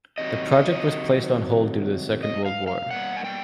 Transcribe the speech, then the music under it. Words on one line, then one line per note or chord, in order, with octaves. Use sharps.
The project was placed on hold due to the Second World War.
C3 D#3 F#3 D#5
D#5
D#5
F5
F5
B2 G3 A#3 F#5
G#5
G5